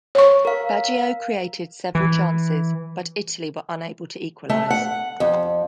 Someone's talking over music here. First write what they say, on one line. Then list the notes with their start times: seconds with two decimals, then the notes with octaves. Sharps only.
Baggio created several chances, but Italy were unable to equalise.
0.15 C#5 C#6
0.45 A#4 F5
1.95 E3
4.50 A3
4.70 F#5
5.20 F2